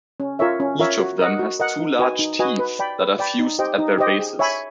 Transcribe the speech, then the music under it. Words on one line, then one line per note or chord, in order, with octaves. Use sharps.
Each of them has two large teeth that are fused at their bases.
C#4
F4 A#4 C#5 E5
C#4
F4 A#4 C#5 E5
F#4
A#4 D#5 F#5
F#4
A#4 D#5 F#5
D#4
F#4 B4 D#5 G#5
D#4
F#4 B4 D#5 G#5
B4
D5 G5 B5
B4
D5 G5 B5
D#4
G4 C5 D#5 G5
D#4
G4 C5 D#5 G5
G#4
C#5 E5 G#5 B5